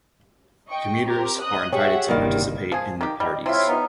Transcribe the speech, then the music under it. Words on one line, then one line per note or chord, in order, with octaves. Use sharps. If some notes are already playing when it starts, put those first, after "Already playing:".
Commuters are invited to participate in the parties.
D#5 G5 C#6
C4 G4 A#4
D#5 D#6 F#6
G4 G#4 C#5 E5 F#5
G1 C2 G2 D#3 G3 A#3
F3 G#4
D#3 G4
G3 D#5
C3 E4 F4 C#5 E5 C6
B3 D#4